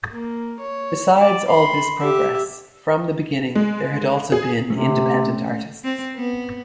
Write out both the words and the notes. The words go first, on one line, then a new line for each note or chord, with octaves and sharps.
Besides all this progress, from the beginning there had also been independent artists.
A#3
C#5
D5
B5 C6
G4 E5
G#3
G#4
C3 A3 C#4
C4
B3